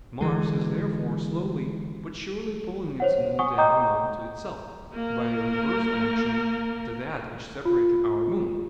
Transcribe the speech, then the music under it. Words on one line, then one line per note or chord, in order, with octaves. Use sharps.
Mars is therefore slowly but surely pulling its moon down on to itself, by a reverse action to that which separated our moon.
D3 E3 G#3
C5 C#5 F#5
F#5 G#5 C#6 D#6
D#5 G5 A#5 D6 D#6 G6
A#3 A#4
F4